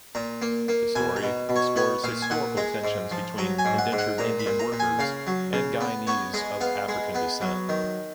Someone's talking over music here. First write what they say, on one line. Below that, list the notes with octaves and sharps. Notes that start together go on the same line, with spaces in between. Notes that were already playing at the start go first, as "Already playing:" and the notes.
The story explores historical tensions between indentured Indian workers and Guyanese of African descent.
A#2 A#5
A#3
A#3
B2 G#5
A#5
B2
B2
C#5
B3 C#5
A#2 F5
G#5
A#2 F#5
G#3 A#5
G#2
F3
F#3 A#5
G#5
G#2
F#5
G#2
F#5
A#2 A#5
B5
A#2
A#5
A#2
G#5
C#3 F5
F#3
C#3
B3
B3 C#5
G#3 D#5
B3 F5
G#3
B3
F#3
D#3